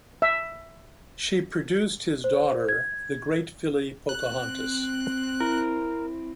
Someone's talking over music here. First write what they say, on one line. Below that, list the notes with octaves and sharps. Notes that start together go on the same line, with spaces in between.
She produced his daughter, the great filly Pocahontas.
E5
C5
G#6
C4 F#6
E4 A#4